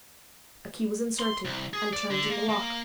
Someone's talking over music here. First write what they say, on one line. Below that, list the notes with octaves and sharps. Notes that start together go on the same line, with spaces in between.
A key was inserted and turned in the lock.
C6
C2
G#4
D5
D3
A#3
A#3